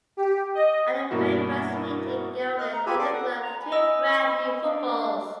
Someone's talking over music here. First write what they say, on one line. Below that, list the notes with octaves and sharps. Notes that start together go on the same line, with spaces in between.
At the very first meeting Geldner gave the club two brand new footballs.
G4
D#5
G2 B2 A#3 E4 F#4
D#5 F6 F#6
A#5
F4 G4 G#4 G#5 B5 E6
A4 D5 C6 D6
F#5
A#5
G#5 B5
D#5 E6
D4 F5